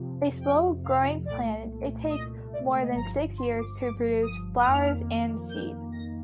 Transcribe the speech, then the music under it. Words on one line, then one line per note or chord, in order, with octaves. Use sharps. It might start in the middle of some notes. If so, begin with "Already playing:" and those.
A slow-growing plant, it takes more than six years to produce flowers and seed.
Already playing: F2 C3 F3
G5
F5
C2 A#2 A3 D5
D#5
D5
D#5
G1 G2 F3 A#5
C6
D6
D6
D#6
D#6
F2 D#3 A#3 F6
G6
A#6